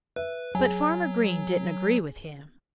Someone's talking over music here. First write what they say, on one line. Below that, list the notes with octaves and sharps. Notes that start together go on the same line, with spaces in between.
But Farmer Green didn't agree with him.
B4 E5
F#3 G#4 G#5